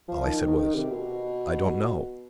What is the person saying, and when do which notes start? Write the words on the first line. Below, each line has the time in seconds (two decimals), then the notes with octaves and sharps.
All I said was: "I don't know."
0.09 F3
0.26 D#3
0.42 D#3
0.58 D#3
0.75 C3
0.91 B2